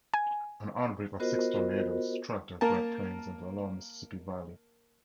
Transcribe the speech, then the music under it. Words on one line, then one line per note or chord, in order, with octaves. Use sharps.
An outbreak of six tornadoes struck the Great Plains and the Lower Mississippi Valley.
G#5
B3 F4 F#4 A#4 C5 D#5
A#3 A#4 A5